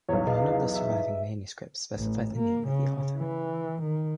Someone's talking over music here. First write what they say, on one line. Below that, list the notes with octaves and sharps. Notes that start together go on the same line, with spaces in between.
None of the surviving manuscripts specify the name of the author.
B1 E2 C#5
G#4 B4 D#5 F5
E5
A1
A#3
C#3
E3
D#3